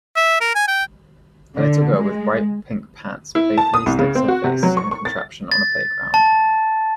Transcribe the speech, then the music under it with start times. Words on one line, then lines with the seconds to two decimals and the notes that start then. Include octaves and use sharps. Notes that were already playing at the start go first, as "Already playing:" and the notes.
A little girl with bright pink pants playfully sticks her face in a contraption on a playground.
0.16 E5
0.41 A#4
0.55 G#5
0.68 G5
1.57 D3
1.94 G#3
3.35 E4
3.58 A5
3.74 D#6
3.86 C2
3.99 C#3
4.15 C4
4.28 F#4
4.44 C3
4.63 F#3
4.77 C#6
4.91 C#6
5.05 A6
5.52 A6
6.14 A5